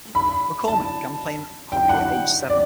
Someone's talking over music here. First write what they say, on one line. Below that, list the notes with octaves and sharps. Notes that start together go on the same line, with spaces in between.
MacCormik began playing hockey at age seven.
B5
A5
G5
F#5
D5